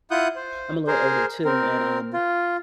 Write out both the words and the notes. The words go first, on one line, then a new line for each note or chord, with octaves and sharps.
I'm a little older, too, and, um,
E4 F4 F#5 D#6 F#6 G6
C5
G#4 A#4 C5
C4 A#4
F4